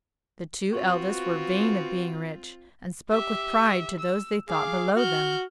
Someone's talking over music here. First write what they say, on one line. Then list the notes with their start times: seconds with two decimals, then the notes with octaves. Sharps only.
The two eldest were vain of being rich, and spoke with pride to those they thought below them.
0.73 B3 C4 F4 F#4
3.09 G4 E5
4.00 E6
4.49 G#4 F5 D6
4.96 F#4 F6 G6